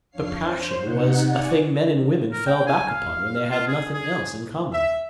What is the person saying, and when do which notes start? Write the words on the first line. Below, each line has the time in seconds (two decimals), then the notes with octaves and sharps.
But passion was a thing men and women fell back upon when they had nothing else in common.
0.10 F2 D4 C#5 F5 C7
0.42 C5
0.80 C3 D#4 F#5
1.24 D5 F#5 G#5 C#6
2.32 A#4
2.46 G5
2.66 G#5
2.89 F5
3.50 F4
3.67 G#4
3.94 G#4
4.73 E5